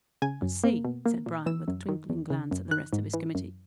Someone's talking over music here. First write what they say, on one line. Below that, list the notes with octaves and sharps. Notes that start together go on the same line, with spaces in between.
"I see," said Bryan, with a twinkling glance at the rest of his committee.
C#3 G#5
F#2
A#3
B2
A#3
A#2
E3 E6
F#2
D#3
E2
C#3
F#2
D#3 F#6
G#2
E3
F#2